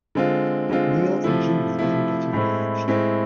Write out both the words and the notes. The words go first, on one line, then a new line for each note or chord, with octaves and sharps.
Neil and Julie then get engaged.
D3 G#3 C4 F4
D3 G#3 C4 F4
C3 F3 A3 E4
C3 F3 A3 E4
A2 G#3 C4 E4
A2 G#3 C4 E4